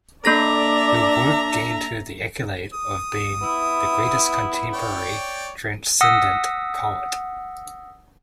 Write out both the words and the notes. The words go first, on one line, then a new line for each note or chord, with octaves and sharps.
Her work gained her the accolade of being "the greatest contemporary transcendent poet".
A#3 D4 A4 D5 E5 A#5 A#6
D#6
B3 E4
C#5 D5 G5
F#5 D#6 E6 A#6 B6